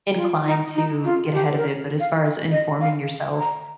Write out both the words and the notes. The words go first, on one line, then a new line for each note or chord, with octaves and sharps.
inclined to get ahead of it, but as far as informing yourself,
F4
D#4
D#4
F4
G4
A#4
F5
D#5
F5
A#5